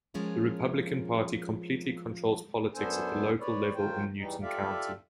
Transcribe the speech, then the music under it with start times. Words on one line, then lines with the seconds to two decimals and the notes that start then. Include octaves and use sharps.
The Republican Party completely controls politics at the local level in Newton County.
0.14 F3 G#3 C#4 F4 A#4
2.74 F#2 B3 D4 A4 C5 G#5
3.40 B4 C#5 D5
3.75 G#2 D#3 F#3 F4 C5 G5
4.18 E2 E3 G3 D#4
4.42 F4 G4 A4 D5 E5 F5